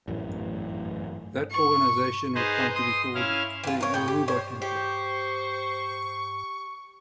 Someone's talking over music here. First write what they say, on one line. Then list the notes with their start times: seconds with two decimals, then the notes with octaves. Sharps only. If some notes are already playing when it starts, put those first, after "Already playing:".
That organization would come to be called the "Yoruba Temple".
0.08 A1 F#2 A2
1.51 C#6
2.35 D#4 G#4 B4 C5 D#5
2.75 C6 D#6
3.15 C#4 E4 F5
3.64 E3 F4
3.81 A#4 C#5
3.94 A2 G5
4.08 G4
4.28 C5 C#5
4.62 G4 C5 C#6